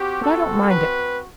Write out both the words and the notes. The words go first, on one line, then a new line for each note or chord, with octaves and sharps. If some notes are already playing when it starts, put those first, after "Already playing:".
But I don't mind it.
Already playing: C4 F#4 G4
A4
B4